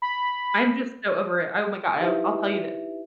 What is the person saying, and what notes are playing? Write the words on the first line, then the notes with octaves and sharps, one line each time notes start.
I'm just so over it, oh my god, I'll I'll tell you this.
B5
D#4 E4 G4 B4 E5